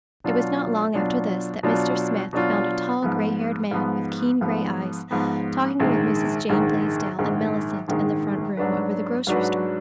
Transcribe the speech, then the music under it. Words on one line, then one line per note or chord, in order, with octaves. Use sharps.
It was not long after this that Mr. Smith found a tall, gray-haired man, with keen gray eyes, talking with Mrs. Jane Blaisdell and Mellicent in the front room over the grocery store.
B2 F#3 D4 F4
B2 F#3 D4 F4
B2 F#3 D4 F4
B2 F#3 D4 F4
G#2 F3 B3
G#2 F3 B3
G#2 F3 B3
G#2 F3 B3
A#1 G#2 D#3 G#3
A#1 G#2 D#3 G#3
A#1 G#2 D#3 G#3
A#1 G#2 D#3 G#3
G#2 F#3 D4 F#4 B4
G#2 F#3 D4 F#4 B4